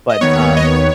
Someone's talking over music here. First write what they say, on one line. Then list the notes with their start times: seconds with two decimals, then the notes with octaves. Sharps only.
but, um.
0.10 D#5
0.21 D#2 D#3 B3 C#5
0.57 D#5
0.64 C#5